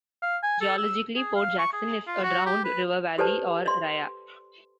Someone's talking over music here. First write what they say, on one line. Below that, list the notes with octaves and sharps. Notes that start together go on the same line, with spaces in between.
Geologically, Port Jackson is a drowned river valley, or ria.
F5
G#5
A4
E6
G#4
F5
C#6
G#4
F4
F#4
G4
B4
G4 A4 B4 C5 D5 A5
D5 C6